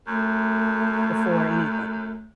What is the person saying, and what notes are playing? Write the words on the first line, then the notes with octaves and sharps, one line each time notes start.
before anything.
F#2 A3